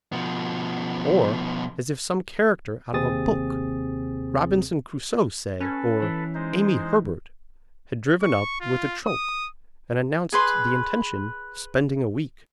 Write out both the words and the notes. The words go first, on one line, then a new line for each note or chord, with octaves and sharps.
Or as if some character out of a book, Robinson Crusoe, say, or "Amy Herbert," had driven up with a trunk and announced the intention of spending a week.
B2 F3
D#2 C3 C4 G#4 D#6 A6
C#4 A4 B4
E3
G#3 D#4 C5
C#6
F4
D#6
G#4 B4 C6